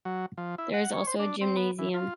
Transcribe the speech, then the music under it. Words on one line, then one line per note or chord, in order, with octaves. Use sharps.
There is also a gymnasium.
F#3
F3
E4
F#5
C#5
C5
D4
C4
B3
E3
F4